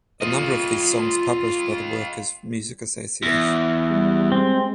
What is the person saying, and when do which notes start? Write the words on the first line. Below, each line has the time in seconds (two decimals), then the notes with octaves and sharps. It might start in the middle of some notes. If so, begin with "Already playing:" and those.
A number of these songs published by the Workers Music Association.
0.21 F4 D#5
3.23 E2 E5
3.91 G3
4.32 G#3 C4